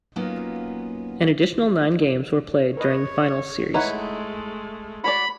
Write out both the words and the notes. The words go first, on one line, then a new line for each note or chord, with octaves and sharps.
An additional nine games were played during the finals series.
F#3 A#3 B3 C#4 D#4 F4
A#4 B4 C#5 D#5
G#3 A3 D#4 E4 B4 C#5 F#5
F#4 C#5 D5 B5